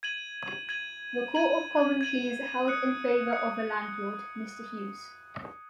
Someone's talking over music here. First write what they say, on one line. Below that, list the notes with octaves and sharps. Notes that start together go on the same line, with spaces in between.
The Court of Common Pleas held in favour of the landlord, Mr Hughes.
G#6 D#7 F#7
G#6 D#7 F#7
G#6 D#7 F#7
G#6 D#7 F#7
D#6 F#6 C#7
D#6 F#6 C#7